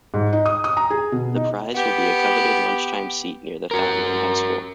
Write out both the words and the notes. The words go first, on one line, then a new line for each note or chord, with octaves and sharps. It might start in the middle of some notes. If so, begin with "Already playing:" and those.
The prize will be a coveted lunchtime seat near the fountain in high school.
G#2
D#4
D#6
D#6
A#5
G#4
B2
D#4
B3 G4
F#4 A#4